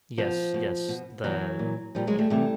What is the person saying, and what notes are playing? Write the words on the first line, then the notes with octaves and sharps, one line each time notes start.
Yes, yes. The yeah.
B2 F3
B2
B2
B2 E3 F#3
A#2
A#2 F3 G3
F#3 G#3
G3 A3
C3 E3 G3 A3